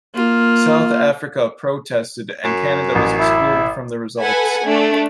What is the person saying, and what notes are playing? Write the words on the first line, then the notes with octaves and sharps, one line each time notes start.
South Africa protested, and Canada was excluded from the results.
A#3 F4
F#2
A1
E4
A4 B4 F#5 G#5
A3 D4